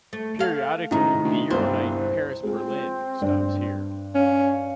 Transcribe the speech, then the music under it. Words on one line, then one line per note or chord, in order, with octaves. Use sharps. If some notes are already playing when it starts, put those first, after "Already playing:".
Periodically the EuroNight Paris-Berlin stops here.
A3
A4 F5
C#2 A2 C3 D#3 D#4 A#5
D2
G1 C2 G2 C4
G#3 C4 F4 G#4
G2 D4
C#4 F5